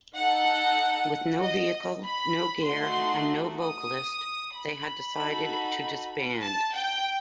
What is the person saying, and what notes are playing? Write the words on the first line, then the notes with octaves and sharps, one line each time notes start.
With no vehicle, no gear, and no vocalist, they had decided to disband.
D#4 A4 F#5
D#5
B5
A3 D#4 F#4 C6
D#6
B5
D#4 F#4 A4
A5
G5